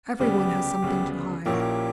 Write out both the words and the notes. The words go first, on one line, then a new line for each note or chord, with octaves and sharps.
Everyone has something to hide.
D2 C#3 G3 B3 G4
D2 C#3 G3 B3
A#1 A#2 A#3 C#4 E4 G4
F#4
G4